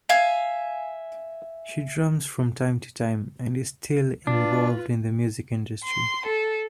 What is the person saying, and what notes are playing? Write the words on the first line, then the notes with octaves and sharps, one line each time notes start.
She drums from time to time and is still involved in the music industry.
E5 F5 G#5
D4 F4 B4
C6
A4